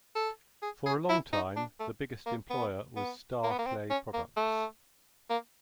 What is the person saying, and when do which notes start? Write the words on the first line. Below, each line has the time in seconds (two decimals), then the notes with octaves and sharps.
For a long time, the biggest employer was Star Clay Products.
0.15 A4
0.62 G#4
0.86 G#4
1.09 E4
1.33 D#4
1.56 D4
1.79 A3
2.26 A#3
2.50 B3
2.96 B3
3.43 A#3
3.51 B3
3.58 A#3
3.66 C4
3.90 C#4
4.13 A#3
4.37 A3
5.30 A#3